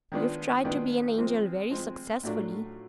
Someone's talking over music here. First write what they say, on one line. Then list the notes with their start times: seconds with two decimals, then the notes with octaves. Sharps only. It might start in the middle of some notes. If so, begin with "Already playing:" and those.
'You've tried to be an angel very successfully.'
0.12 D#3 G#3 B3 D4 F4
0.64 D#3 G#3 B3 D4 F4
1.18 F3 G#3 C4
1.70 F3 G#3 C4
2.23 A2 F#3 A3 D4 F4